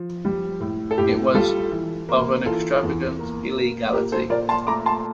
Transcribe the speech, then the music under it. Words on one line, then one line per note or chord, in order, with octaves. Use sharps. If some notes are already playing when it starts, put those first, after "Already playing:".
It was of an extravagant illegality.
Already playing: F3
G3
A2
A4
A2 G4
G3 F4 A4
E3
A#3
E3 F4 A4
E2
A#3
A#3
A#2 G4 A#4
A4 C5
A#2 A#4 D5
A5 C6
A3 A#5 D6
A5 C6